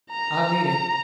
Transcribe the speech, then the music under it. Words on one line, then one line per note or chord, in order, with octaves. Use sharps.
I mean it!
A#5
A#5